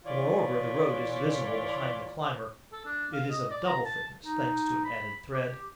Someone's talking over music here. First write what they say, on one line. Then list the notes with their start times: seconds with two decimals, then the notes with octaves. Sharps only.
Moreover, the road is visible behind the climber, it is of double thickness, thanks to an added thread.
0.05 E3 F4 C#5 D5
2.72 A4
2.85 D4
3.13 F5
3.31 D#5
3.50 D5
3.66 A#5
3.85 A5
4.24 D#4
4.84 B5
5.33 G4